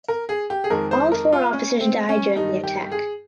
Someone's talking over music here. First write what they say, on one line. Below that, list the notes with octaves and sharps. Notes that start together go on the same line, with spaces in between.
All four officers die during the attack.
A#4
G#4
G4
G#4
F2 D#3 G#3 A#4
C5
A#4
F4
C#4
C4
C#4
G2 D#3 G3 D#4
G4
G4
G#4